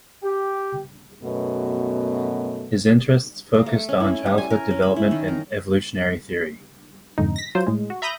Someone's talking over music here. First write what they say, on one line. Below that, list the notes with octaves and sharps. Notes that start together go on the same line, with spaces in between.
His interests focused on childhood development and evolutionary theory.
G4
F#2 B2 A3 B3
A#3
A3
C#4
E4
G3
G#5
A#4
C#4
B5
E4
D#3
A#4
F2 G#2 D3 D#4
A#6 B6
F#3 F4 C5
A2 G#3
F#4
E5 A#5 B5 D#6 G6 A#6